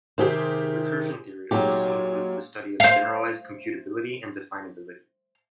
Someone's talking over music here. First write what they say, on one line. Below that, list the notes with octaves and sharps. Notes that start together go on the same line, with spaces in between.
Recursion theory also includes the study of generalized computability and definability.
C3 D#3 G4 G#4 C5
A#2 F#3 G#3 D#4 G4
C5 F5